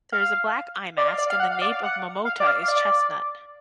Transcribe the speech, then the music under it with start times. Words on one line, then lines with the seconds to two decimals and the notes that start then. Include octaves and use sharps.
There is a black eyemask, and the nape of "momota" is chestnut.
0.12 F5
0.98 D5
1.08 F5
1.18 D5
1.30 F5
1.40 F#5
1.51 F5
1.62 D5
1.72 F5
1.83 F#5
2.25 F5
2.40 D5
2.47 F5
2.63 F5
2.68 D5